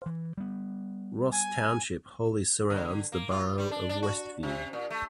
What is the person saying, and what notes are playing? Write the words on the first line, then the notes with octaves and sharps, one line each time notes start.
Ross Township wholly surrounds the borough of West View.
E3
G3 B3
G#5
D3
A#3
F4
G3
D4
D4
F#4
C3
A#2
A3